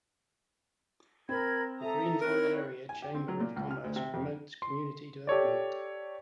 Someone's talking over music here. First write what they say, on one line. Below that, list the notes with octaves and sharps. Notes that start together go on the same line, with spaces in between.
The Greenville Area Chamber of Commerce promotes community development.
C4 A#4 B5 G#6
A4 E5 A#5 D#6
D#3 C4 E4 A#4 C#5 F#6
G#5
G4
C4
F#3
A#2
C#2
F6
D2
C3
F2
C6
G4 A4 C#5 D5